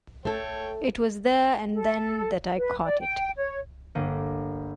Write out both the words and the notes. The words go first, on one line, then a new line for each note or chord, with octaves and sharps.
It was there-and-then that I caught it.
A3 A4 C#5 G5
A4
B4
D5
G5
C#5
G1 G3 A#3 D#7